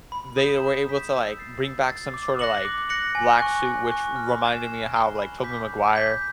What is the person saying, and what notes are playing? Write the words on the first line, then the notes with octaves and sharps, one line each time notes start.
They were able to, like, bring back some sorta, like, black suit, which reminded me of how, like, Tobey Maguire
B5
D#6 G6 B6 E7
B5
D#6 G6 B6 E7
E6
A6 C7
E6
A6 C7
D6
F#6 A#6 C#7 F#7
D6
F#6 A#6 C#7 F#7
G#5
C#6 F#6
G#5
C#6 F#6
F6
G#6 C7 E7 G7
F6
G#6 C7 E7 G7
B5
D6 G6 B6
B5
D6 G6 B6